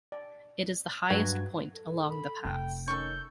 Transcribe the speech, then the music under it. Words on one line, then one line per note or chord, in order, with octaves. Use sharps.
It is the highest point along the pass.
D5
G2 F#3 F#4 B4 A5 G#6
A4
B5
F1 G5
D#3 C#4 A4 C#6 G6